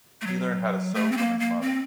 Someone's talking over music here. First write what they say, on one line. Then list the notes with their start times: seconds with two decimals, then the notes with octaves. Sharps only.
He learned how to sew from his mother.
0.21 A3
0.27 F#3
0.95 A3
1.12 C4
1.17 A#3
1.40 A#3
1.61 C4